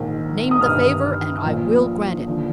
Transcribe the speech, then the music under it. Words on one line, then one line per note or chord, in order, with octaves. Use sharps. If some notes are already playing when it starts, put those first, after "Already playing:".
"Name the favor and I will grant it."
Already playing: A#1 G#2 D#3
D#6
G1 G2 D#3 F6
A#1 A#2 F3
D#2 D3 F3